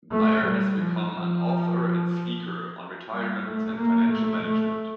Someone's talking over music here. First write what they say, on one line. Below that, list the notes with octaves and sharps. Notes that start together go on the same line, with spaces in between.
Bleier has become an author and speaker on retirement and financial management.
A3
G3
F3
F3
G3
A3
A#3
A3
A3